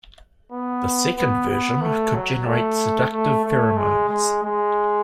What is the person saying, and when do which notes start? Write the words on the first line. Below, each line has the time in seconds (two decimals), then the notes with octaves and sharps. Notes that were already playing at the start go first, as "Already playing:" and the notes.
The second version could generate seductive pheromones.
0.52 B3
1.17 B3
1.49 B3
1.82 A3
2.14 F#3
2.47 A3
3.12 A3
3.45 A3
3.77 G#3
4.09 G#3
4.43 G#3